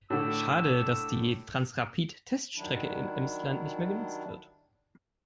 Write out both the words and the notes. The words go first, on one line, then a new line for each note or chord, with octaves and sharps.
Schade, dass die Transrapid-Teststrecke im Emsland nicht mehr genutzt wird.
A2 D3 E6
D#3 F#3 G3 D4 E4